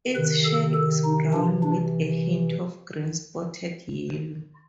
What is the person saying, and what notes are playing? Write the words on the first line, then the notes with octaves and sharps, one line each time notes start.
Its shell is brown with a hint of green, spotted yellow.
C3 D#3 B4
A4
A4
D#4
C3 E3 D4
D4